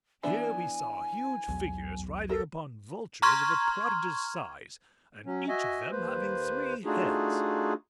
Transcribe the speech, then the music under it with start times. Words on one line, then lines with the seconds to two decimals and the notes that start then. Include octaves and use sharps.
Here we saw huge figures riding upon vultures of a prodigious size, and each of them having three heads.
0.23 E3 B3 D4 G#5
1.48 B1 E2 F#3
2.29 G4 A4 A#4
3.22 A#5 C6 C#6 F6 G#6
5.26 F#3 C#4
5.49 F#4 D#5 E5 G#5
5.91 D#2 A#3 B4 C5
6.85 A3 D4 D#4 F4 F#4 G#4